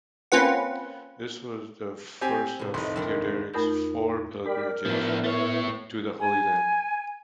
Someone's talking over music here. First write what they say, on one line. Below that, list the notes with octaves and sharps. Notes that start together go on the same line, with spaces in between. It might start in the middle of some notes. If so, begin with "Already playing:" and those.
This was the first of Theoderic's four pilgrimages to the Holy Land.
A#3 C4 C#4 F4 B4 F#5
C4 G4 G#5
A2 C3
F1 D#4 B4 C5
G2 D#3 D5
F2 A3 D#4 A#4 B5 G6
G4 A#4 D5 B5
A2 F3 B3 D4 E4
A3 C#5
G#5